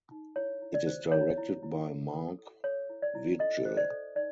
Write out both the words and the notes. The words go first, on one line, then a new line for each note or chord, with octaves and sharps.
It is directed by Marc Vigil.
D#4
E4 C#5
E4
D5
C5
E4 C#5
E4
E4
A4
A4
A4
A4 C#5
E4
D5
E4
A4 D#5
C5
D5
A4
D#4 D5